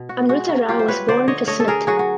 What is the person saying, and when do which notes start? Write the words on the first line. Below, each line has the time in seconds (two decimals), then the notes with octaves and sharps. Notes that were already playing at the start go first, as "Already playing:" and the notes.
Amrutha Rao was born to Smt.
Already playing: B2
0.09 F#4
0.29 G#3 F#4
0.49 F#4
0.68 F#3 F4 G4
0.79 C5
0.88 B4 C#5
1.08 D3 C5 D5
1.28 C#5 D#5
1.47 A3 C#5 D#5
1.60 A4
1.68 G#4 A#4
1.87 F#3 F#4 G#4
1.99 F#4